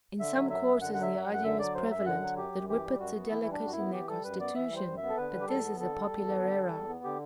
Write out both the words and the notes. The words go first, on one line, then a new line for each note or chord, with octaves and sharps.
In some quarters the idea is prevalent that Whippets are delicate in their constitution, but this is a popular error.
D3 E5
F#3
F#2 E5
F#2
D3 F#5
F#5
F#3 E5
F#2
F#5
F#2
F#5
D3 E5
F#3 D5
F#2 C5
F#2 E5
D3 F#5
F#3
F#2 G4
F#2
E3 G4
G3
F#2 F#4
B3
E3 E4
G3
D4
F#2 F#4
E4
B3
E3 G4
G3 A4
F#2 B4
B3 D5
E3 E5
G3
C5
F#2
E5
B3
A4
D3 B4
G3
G4
E2 A4
B3
D3 A4
G3
E2
B3
D3
G3
E2
B3
D3 G4